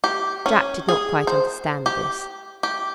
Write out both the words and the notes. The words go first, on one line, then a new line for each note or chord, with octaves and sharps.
Jack did not quite understand this.
G4
C#4
G#4
C5
G4
G4